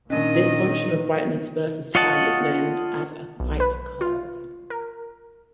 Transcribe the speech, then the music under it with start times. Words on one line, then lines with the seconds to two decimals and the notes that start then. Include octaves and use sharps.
This function of brightness versus time is known as a light curve.
0.10 A#2 D#3 C#4 D4 D#5
1.95 F4 C#5 D#5 F#5 A5
3.40 B1
3.60 B4
4.01 F4
4.70 A#4